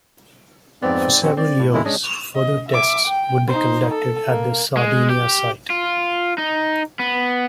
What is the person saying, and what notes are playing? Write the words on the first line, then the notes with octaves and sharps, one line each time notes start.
For several years, further tests would be conducted at the Sardinia site.
F2 G#2 B3 C4 D5
A#1 C4 C#4 F#4
C4 D5
A2
F2 B2 D#3 G#3 E4
G#3 C#4 D4 D#5
D#5
E5 D6
G5
D#4 C5
A4
A#3
G#3
G4
F4
D#4
B3